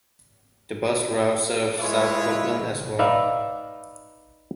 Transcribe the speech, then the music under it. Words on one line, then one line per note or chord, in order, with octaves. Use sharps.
The bus routes serve South Brooklyn as well.
G#3 E4 F4 B4 C#5
D#4 B4 D5 E5 F5